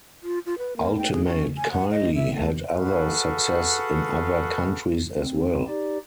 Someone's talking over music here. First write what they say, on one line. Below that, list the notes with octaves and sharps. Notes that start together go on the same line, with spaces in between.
"Ultimate Kylie" had other success in other countries as well.
F4
F4
B4
A#3
G5
G#4
C#4
G#5
F#5
D#5
E5
A3
F#4 G#4 A4 B4 F5 F#5
C4
D#4 G4 D5